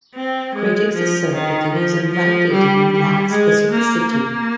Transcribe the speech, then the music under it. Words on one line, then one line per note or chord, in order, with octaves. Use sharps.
Critics assert that it is unvalidated and lacks specificity.
C4
G#3
F3
D#3
F3
F3
G3
G3
G#3
A#3
A#3